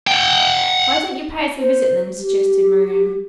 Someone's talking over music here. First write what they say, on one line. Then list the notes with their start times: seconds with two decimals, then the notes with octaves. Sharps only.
"Why don't you pay us a visit, then?" suggested Miriam.
0.07 F#5 G5
1.60 C5
2.18 G4